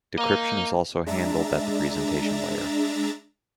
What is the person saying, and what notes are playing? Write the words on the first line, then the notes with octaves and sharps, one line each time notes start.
Decryption is also handled at the presentation layer.
A#3 D#5 A#5
G#3 D4 E5 A#5 A6